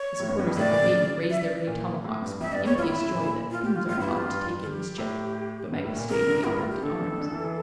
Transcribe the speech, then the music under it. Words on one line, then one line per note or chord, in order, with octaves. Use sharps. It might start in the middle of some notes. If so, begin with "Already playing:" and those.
The supporters of the maiden raised their ready tomahawks with the impious joy that fiends are thought to take in mischief, but Magua stayed the uplifted arms.
Already playing: C#5
A2
G2
G2
F2
A2 D5
A#2
C#3
E5
D5
A#2
A2
G2
F2 E5
G2 D5
E2 C#5
F2 F4
A2 E4
A2
C#3
A#2
F4
G4
F4
A2 F4
G2
E4
E2
G4
F2 F4
G2
A4
G4
A2
G2
A2
A#2
C#3 A#4
D3
G2 E4
A2 F4
G4
D3 A4
E3
D3
F2
D3
E3
E3